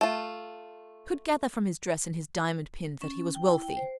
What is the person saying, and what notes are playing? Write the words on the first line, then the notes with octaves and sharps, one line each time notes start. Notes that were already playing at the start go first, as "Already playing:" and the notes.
I could gather from his dress and his diamond pin that he was wealthy.
A3 F4
C#4
G5
E4
G5
C5